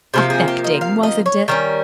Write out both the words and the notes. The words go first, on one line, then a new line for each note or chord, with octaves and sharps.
Affecting! wasn't it?
C3 F3 A#3 G4
G#4
G4
D#5
F5
D#5
C#5
D#3 G3 C#4 A#4